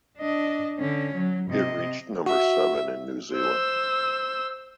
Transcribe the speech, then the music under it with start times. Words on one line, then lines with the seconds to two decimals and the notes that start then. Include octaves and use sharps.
It reached number seven in New Zealand.
0.18 D4 D#5
0.79 D3 C#4
1.15 F#3
1.51 C3 D#5
2.26 F#4 E5
3.33 C5 E6